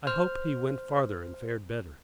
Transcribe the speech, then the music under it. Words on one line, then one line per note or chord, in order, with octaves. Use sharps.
I hope he went farther, and fared better.
C5 F6